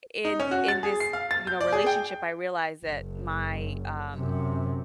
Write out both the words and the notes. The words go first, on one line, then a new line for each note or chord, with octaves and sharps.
in in this, you know, relationship, I realized that my um
D#4
C#4
F#4
A6
G#4
C7
F5
A6
G6
D5
G#4
G5
F#1
F#2 C3